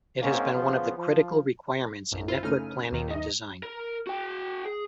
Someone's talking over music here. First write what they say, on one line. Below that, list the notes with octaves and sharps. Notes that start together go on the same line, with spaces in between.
It has been one of the critical requirements in network planning and design.
G#2 A#3 C4 C#4
C#3 F3 B3
F3
A#1 F#2
E4 F4 C5
C#3 A3 C#4 D#4 F6 D#7
D#2 D#3
D#4 D#5
A#4
F#4 G5
G#4